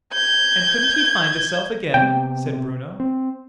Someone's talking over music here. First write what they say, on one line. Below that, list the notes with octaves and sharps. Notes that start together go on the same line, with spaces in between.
"And couldn't he find his-self again?" said Bruno.
G6 G#6
C3 B3 C4 G5
C4